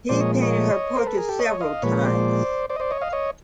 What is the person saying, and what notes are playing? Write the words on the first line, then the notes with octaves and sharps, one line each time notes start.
He painted her portrait several times.
A#2 F3 G#3 C5 D5
C#5 D#5
C#5 D#5
A#4 C5
A4 B4
G#4 A#4
G4 A4
C#5 D#5
D#5 F5
A#2 F3 G#3 B4 C#5
C5 D5
C5 D5
D#5
C5 D5
C#5 D#5
D#5 F5
C#5 D#5